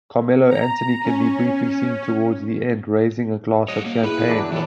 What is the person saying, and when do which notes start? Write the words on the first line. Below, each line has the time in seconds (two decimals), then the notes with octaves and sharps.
Carmelo Anthony can be briefly seen towards the end, raising a glass of champagne.
0.50 A#5
1.04 C#4
3.68 G3 C#5 D#5
3.86 A#3
4.03 E4 G#4 B4 B5
4.28 E2 F#3 D4
4.52 A#1 D#2 A2 E3 B3